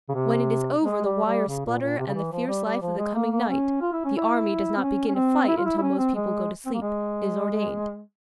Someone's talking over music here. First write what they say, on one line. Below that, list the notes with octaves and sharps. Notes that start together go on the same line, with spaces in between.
When it is over the wires splutter and the fierce life of the coming night--the Army does not begin to fight until most people go to sleep--is ordained.
C#3
C3
G#3
G3
G3
C#3
A#2
A#2
C3
C#3
E3
F3
G3
G3
F3
G#3
A#3
A#3
C#4
F4
E4
C#4
E4
C4
C#4
C#4
C4
E4
F4
E4
E4
C#4
C4
G#3
C4
A#3
G#3